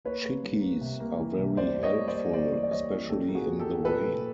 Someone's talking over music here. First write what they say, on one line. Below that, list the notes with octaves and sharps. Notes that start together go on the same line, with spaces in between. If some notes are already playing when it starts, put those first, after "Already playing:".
Chickees are very helpful, especially in the rain.
A#3 B4 C#5
A#3
G3
A#3
C3
A#3
E3
C3
G3 C5 D5
G3
C#5 D#5
A#3
C5 D5
A#3
A#3 C5 D5
E3
D5
G3 C#5 D#5
E3
A#2 G4 A4
A#3
F#4 G#4
F3
G4 A4
F3
A#2 A4 B4
A#2